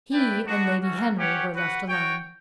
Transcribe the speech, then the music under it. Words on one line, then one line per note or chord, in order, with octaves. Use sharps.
He and Lady Henry were left alone.
E4 B4 D5 G5
B3 D4 F#4
A3 C#4 F#4
C#4 G4 C#5 F#5
F#4 B4 F#5
F#4 C#5 G5